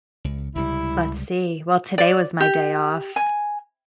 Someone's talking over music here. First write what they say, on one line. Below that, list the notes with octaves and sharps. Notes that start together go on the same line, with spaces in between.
Let's see, well, today was my day off.
C#2
C#2 C3 G3 E4
D5
G4
G#5